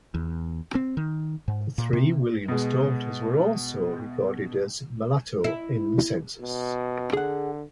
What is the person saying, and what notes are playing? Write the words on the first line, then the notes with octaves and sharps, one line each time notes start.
The three Williams daughters were also recorded as Mulatto in the Census.
E2
C4
D#3
G#2
A#2
C3
B2 G#3
E4
B2
D3 G#4 F#5